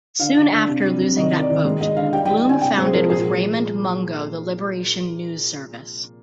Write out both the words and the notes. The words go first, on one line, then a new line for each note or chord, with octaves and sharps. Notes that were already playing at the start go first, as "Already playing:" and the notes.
Soon after losing that vote, Bloom founded with Raymond Mungo the Liberation News Service.
D3 F5
D3
D3
C3
G3
C3
D#3 D#5
D#3
D5
D#3
G#3
G#3 D#5
D3 F5
G3 G5
G5
G3
G5
D3 G#5
C3 G5
G#3 C5
G#4
F3 A#4
A#2 G#4